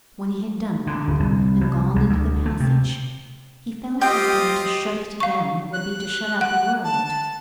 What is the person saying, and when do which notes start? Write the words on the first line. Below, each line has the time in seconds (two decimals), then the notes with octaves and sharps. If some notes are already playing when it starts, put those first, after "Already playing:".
When he had done that, and gone into the passage, he felt as though to shut it again would be to shut out the world.
0.87 D3
1.08 D1
1.20 C2
1.61 C2
1.96 C2
2.09 D2
2.46 A3
2.60 C3
4.01 C4 F4 G4 D#5 G5
5.20 F5 C#6
5.73 F#6
6.41 F#5 F#6
6.83 A5